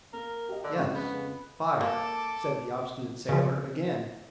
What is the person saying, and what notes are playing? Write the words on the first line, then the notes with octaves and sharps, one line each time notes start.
"Yes, fire!" said the obstinate sailor again.
A#3 A#4
G4 D#5
D3 F#6
F2 C#3 G#3 F#4
B3
A#3 A4 A5 D6
C#3 F3